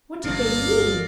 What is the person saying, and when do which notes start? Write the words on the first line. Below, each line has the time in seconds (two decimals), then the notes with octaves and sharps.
What did they mean?
0.24 G1 D2 G#2 D5 D#5 F5